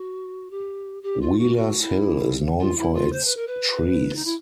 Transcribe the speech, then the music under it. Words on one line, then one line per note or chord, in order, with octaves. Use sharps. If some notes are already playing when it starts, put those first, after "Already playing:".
Wheelers Hill is known for its trees.
Already playing: F#4
G4
G4
F4
F#4
F#4
E4
F4
E4
F4
C5
B4
A#4
B4
D#4
E4